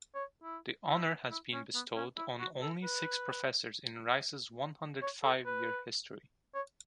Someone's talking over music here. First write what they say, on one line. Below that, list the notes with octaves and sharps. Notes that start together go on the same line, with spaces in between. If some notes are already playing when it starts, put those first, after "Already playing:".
The honor has been bestowed on only six professors in Rice's one-hundred-five-year history.
C#5
E4
E4
E4
C#4
B3
C#4
E4
F#4
A4
B4
C#5
A4
B4
C#5